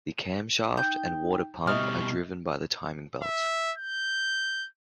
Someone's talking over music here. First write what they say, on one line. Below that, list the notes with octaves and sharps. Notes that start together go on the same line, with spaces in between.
The camshaft and water pump are driven by the timing belt.
D#4 G5 G6
B2 G3 D#5 E5 C#6 D#6 F6
E5
G6